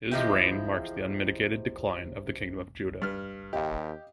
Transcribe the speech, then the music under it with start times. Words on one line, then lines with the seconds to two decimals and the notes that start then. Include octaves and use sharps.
His reign marks the unmitigated decline of the kingdom of Judah.
0.11 C3 E3 F3 G#3 E4 G4
3.02 G2 F6
3.53 D#2 G4 D#5 F5